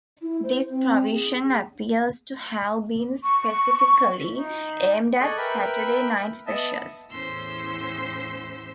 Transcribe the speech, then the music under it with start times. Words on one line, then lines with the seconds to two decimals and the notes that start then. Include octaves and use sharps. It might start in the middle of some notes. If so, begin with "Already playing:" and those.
This provision appears to have been specifically aimed at "Saturday night specials".
0.22 E4
0.43 C5
0.69 C4
1.10 G#4
3.23 C#6
4.37 D#4
5.21 G#4 A4 D5 D#5 C#6 F#6
5.38 A#4 B4 E5 G5 B5 F#6
6.46 B3 D#5 E5 A5
7.09 E2 A2 C#4 C5 C6 E6